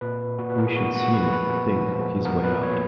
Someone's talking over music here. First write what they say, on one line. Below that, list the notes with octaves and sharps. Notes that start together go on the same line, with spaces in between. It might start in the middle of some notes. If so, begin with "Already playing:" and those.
We should see him think his way out.
A#2 B4
A#2 F#4
B4
A#4
G#4
B3 F#4
F#4
F3 B4
B4
A#2
F3
B3 A#4
B4
A#2 C#5